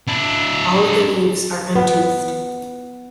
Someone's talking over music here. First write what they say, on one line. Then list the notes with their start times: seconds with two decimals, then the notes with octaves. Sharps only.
All of the leaves are untoothed.
0.08 D4 E4
1.75 B3